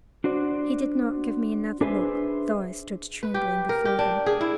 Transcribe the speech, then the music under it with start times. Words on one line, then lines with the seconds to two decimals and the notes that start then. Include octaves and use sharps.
He did not give me another look, though I stood trembling before him.
0.24 D4 F#4 C5 D5
1.81 D4 G#4 B4 C5 E5
3.23 B4
3.34 G4
3.69 A#4
3.85 G4
3.99 D4
4.26 G#4
4.41 E4